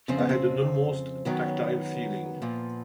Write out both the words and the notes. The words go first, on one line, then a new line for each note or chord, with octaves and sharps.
I had an almost tactile feeling.
F2 C#3 F3 C4
B3
C4
F#2 D#3 F#3 B3
A#2 F3